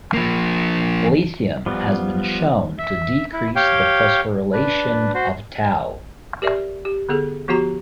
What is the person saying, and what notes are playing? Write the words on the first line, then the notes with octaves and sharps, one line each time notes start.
Lithium has been shown to decrease the phosphorylation of tau.
F3 A#3
F3 G3 B3
E5
E4
G4 C#5 F5 G5
D4 B4
F#4 C5
G4 A#4 D5 E5
G4
D3 B3 G#4 A4
F3 B3 F#4 G4 A#5